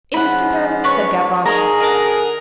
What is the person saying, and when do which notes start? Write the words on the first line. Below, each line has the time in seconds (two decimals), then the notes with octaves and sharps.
"Instanter," said Gavroche.
0.14 G#2 F3 C#4 F#5 B5
0.84 D4 B4 C#5
1.46 D#4 G#4 A#4 G#5 A#5
1.80 D3 A#4 D#5 F#5 A5